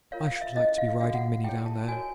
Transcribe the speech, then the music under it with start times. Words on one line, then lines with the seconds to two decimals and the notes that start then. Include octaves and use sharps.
'I should like to be riding Minny down there!
0.12 F4 A#4 C#5 F5
0.27 F5
0.41 E5
0.56 C#4 E4 A4 D#5
0.78 F5
1.00 D4 F#4 A4 F5
1.15 F#5
1.44 E4 G#4 C#5 G5
1.66 A5
1.88 F#4 A#4 C#5 G#5